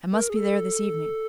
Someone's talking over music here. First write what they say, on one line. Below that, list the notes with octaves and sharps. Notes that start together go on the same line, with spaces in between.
"I must be there this evening."
A#4
G#4
A4